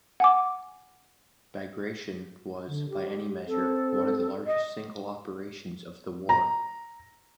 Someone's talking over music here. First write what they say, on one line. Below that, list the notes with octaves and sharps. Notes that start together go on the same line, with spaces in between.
"Bagration" was, by any measure, one of the largest single operations of the war.
F#5 G#5 D6
D3
G4
C4 A4
D#5
A#5